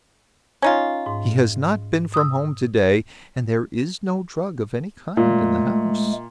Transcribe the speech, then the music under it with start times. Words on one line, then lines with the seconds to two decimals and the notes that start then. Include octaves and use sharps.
"He has not been from home to-day, and there is no drug of any kind in the house."
0.62 C#4 D#4 F4
1.06 G#2
2.14 D#6 E6
5.17 A#2 G#3 A3